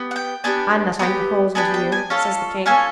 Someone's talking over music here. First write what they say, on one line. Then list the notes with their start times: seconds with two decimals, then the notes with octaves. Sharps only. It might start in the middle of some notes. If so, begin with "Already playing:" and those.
"And that I'm beholden to you," says the king.
Already playing: B3 G4
0.11 F#5
0.16 G5
0.44 B3 D4 G4 G#5
0.99 B3 D4 G4
1.55 B3 D4 G4 G#5
1.74 G5
1.92 G#5
2.10 C#4 F4 A4 A5
2.66 C#4 F4 A4 G#5